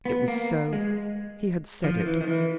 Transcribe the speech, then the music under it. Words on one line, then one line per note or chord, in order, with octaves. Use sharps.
It was so; he had said it.
B3
A#3
G#3
F3
E3
D#3
E3